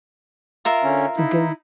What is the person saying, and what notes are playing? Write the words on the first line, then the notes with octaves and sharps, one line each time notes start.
to go
F4 A#4 E5
D3 C#4
D#4 E4